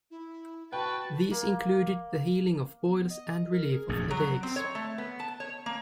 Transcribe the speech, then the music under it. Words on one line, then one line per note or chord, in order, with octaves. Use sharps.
These included the healing of boils and relief of headaches.
E4
F#4 B4 G5 A5 C#6
A#3
B3
D#5
A#4
G#4
A#1 F2
F#3
C4
C#5
A3
B3
A5
C#5
A#3